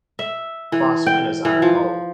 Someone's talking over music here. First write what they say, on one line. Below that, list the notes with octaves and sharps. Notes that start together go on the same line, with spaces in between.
Class winners are in bold.
E5
E3
G5
E3
F3